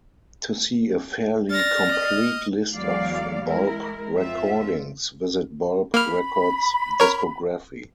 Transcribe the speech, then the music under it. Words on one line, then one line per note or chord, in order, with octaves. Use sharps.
To see a fairly complete list of Bulb recordings, visit Bulb Records discography.
D5 F6 A6 A#6
D#5
E2 F#3 G#3 D5 F5
G#3 E4 A#4
F2 C4 F4 E5
A#3 B5 F6
A#4 C#5